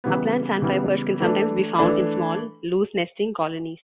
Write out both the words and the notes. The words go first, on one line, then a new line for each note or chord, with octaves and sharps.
Upland sandpipers can sometimes be found in small, loose nesting colonies.
C#3 E3 G3 B3
C#3 E3 G3 B3
E3 A3 D4
E3 A3 D4